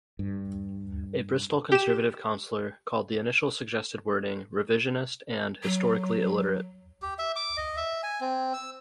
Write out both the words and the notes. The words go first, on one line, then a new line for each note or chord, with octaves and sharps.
A Bristol Conservative councillor called the initial suggested wording "revisionist" and "historically illiterate".
G2
G4 E7
F#3
G4
E5
D6
D#5
E5
G#5
C4
E6